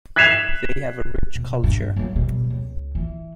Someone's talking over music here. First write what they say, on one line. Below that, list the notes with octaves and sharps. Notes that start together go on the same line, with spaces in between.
They have a rich culture.
F#6 G#6 B6 C7 E7 F7
B2
G2
F#3 B3
B2 G3
C#2
E3